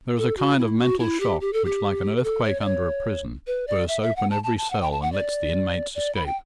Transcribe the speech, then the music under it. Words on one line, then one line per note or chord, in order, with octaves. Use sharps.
There is a kind of mental shock which, like an earthquake under a prison, bursts open every cell and lets the inmates escape.
A4
F#4
E4
F#4
E4
G4
G4
A4
G4
B4
A4
C#5
D5
C#5
B4
D5
E5
E5
F#5
A5
A5
A5
F#5
G5
A5
F#5
D5
D5
B5
G5